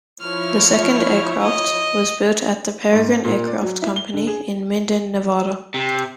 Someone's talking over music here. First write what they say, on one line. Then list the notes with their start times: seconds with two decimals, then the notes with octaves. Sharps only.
The second aircraft was built at the Peregrine Aircraft Company in Minden Nevada.
0.21 F3 E4 C#5 F6
1.41 D#5
2.93 G#2
3.08 C4
3.24 A#2
3.47 D5
3.62 F#3
3.82 E4
3.96 G7
4.14 D3
4.27 G#4
5.74 C3